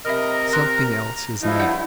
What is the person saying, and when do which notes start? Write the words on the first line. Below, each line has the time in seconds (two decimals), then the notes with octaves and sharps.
Something else is needed.
0.05 C3 A#4 D#5 E5 B5 F6
0.53 A#5 C6 F#6 A#6
1.42 G2 F3 D#4 E4
1.60 D5 F#5 G6